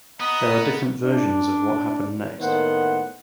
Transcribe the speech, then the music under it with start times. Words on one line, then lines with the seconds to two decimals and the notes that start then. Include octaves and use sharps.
There are different versions of what happened next.
0.20 B3 D#5 F#5 A#5 D#6
1.04 D4
2.40 A2 D#3 A#3 B3 C5 F#5